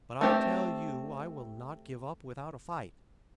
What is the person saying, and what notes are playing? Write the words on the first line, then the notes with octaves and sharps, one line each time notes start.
But I tell you I will not give up without a fight.
A3 C4 G4 C5